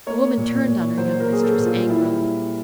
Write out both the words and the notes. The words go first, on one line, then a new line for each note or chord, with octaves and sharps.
The woman turned on her young mistress angrily.
A#3 C#5
A#2
A#2
F#3 C5
A#4
A#3 G#4
A4
A#2
F4
G3 E4